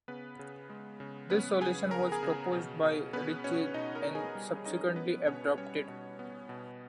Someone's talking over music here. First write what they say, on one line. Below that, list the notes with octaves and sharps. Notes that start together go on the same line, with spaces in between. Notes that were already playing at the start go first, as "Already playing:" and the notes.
This solution was proposed by Ritchie, and subsequently adopted.
C#3 B3 B4
C#3
G#3
C#3
B3 C#4 B4
C#3 G#4 G#5
C#3 A#4 A#5
G#4 G#5
C#3
B2
B2
B3 C#4 B4
B2 C#4 C#5
B2 D#4 D#5
A#4 A#5
B2
G#4 G#5
G3
C#4 D#4 D#5
B3 B4
B2 C#4 C#5
G3 C#4 C#5
B2
B3
B2